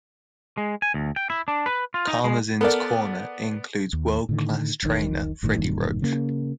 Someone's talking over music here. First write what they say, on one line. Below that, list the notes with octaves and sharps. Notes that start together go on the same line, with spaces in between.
Karmazin's corner includes world-class trainer Freddie Roach.
G#3
G#5
D2
G5
E4
D4
B4
F4
D#4
G#3
B3 A4 A#4 D5
D#2
A2 D3 D#3
E1 B1 B2 D#3
G1 A2 D#3
E1 G2 A#2 D#3
C#3 A#3